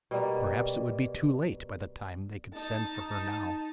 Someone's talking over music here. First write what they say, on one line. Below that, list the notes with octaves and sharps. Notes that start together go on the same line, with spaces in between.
Perhaps it would be too late by the time they could send for her now.
B2 G3 A#3
D#4 A5